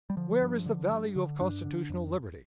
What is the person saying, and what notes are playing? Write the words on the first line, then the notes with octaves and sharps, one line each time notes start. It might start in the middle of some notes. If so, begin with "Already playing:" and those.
Where is the value of constitutional liberty?
G3
D3 F3
G2
D3
G2
D3
G2 D4
D3
F2